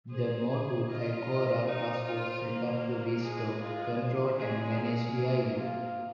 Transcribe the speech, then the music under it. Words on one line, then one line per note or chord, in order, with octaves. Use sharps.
The Motu Kaikoura Trust was set up to restore, control and manage the island.
G#4 C5
F4 D#5
D#5
D#4 C5
F4
A#3
G#3 G#4
F4
C5
G#3 G#4
A#3
F4